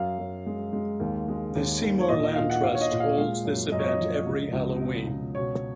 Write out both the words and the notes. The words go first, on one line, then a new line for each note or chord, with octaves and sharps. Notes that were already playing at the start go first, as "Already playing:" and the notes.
The Seymour Land Trust holds this event every Halloween.
Already playing: F#2 F5
F#2
G#3
G#3
D#2
G#3
D#2
D#2
C#5
A#2 D#5
D#5
A#2 F5
F#5
A#2 F5
C#5
D#5
A#2
F5
G#3 F5
F#2
F#2 D#5
C#5
D#5
F3
C#2
C#2
B2
C#2
B2 C#5